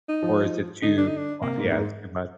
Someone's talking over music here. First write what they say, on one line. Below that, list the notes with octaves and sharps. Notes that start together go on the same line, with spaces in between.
Or is it too qu yeah. It's too much.
D#4
F3
D3 D#4
D4
D#4
D4
C3 A#3
G#2
G#2